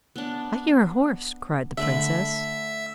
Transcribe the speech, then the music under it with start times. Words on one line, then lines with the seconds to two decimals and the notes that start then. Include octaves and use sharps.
'I hear a horse,' cried the princess.
0.16 B3 D4
1.77 D3 A3 E5 B5